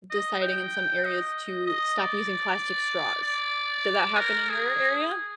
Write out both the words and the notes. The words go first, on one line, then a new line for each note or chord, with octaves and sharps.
deciding in some areas to stop using plastic straws. Did that happen in your area?
D#5
G5
D#5
D#5
D5
D5
A#4
G#4